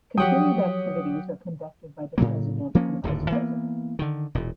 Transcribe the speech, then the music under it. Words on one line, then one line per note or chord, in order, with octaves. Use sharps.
Continued activities are conducted by the President and Vice-President.
F3 F#3 G4 C#5 F#5 G5 D#6
A2 C#3 F#3 A#3
F3 A#3 C#4
D1 D#2 G#2 D3
E3 A#3 B3
D3 D#3
E1 A#2